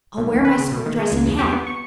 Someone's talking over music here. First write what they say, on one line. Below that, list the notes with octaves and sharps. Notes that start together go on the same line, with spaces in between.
I'll wear my school dress and hat.
B1
D#2
B4
C#3
B2
D#3
G#3
C#2
E2
G4
B3
C#6